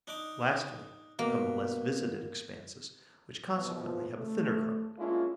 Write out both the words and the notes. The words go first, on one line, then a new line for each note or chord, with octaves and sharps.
Lastly come the less-visited expanses, which consequently have a thinner carpet.
D4 D#4 D6
B2 A#3
C2 B2 E3 F3
A3
G#3 A#3 C#4 D4 E4 F4